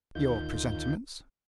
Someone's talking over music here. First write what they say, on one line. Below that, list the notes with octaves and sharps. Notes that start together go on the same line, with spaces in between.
"Your presentiments?"
D2 D#3 D#4 F4 G6